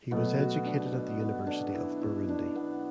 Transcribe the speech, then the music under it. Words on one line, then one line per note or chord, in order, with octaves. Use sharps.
He was educated at the University of Burundi.
B2 F#3 A3 B3
F#4
D4
B3
B3
D4
E4
E4
D4
B3